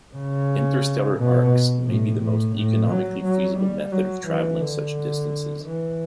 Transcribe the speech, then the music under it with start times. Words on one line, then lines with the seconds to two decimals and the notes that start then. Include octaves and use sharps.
Interstellar arks may be the most economically feasible method of traveling such distances.
0.15 C#3
1.18 B2
1.86 A2
2.21 A2
2.56 A2
2.90 F#3
3.24 F#3
3.59 G3
3.92 F#3
4.27 E3
4.61 D3
5.64 E3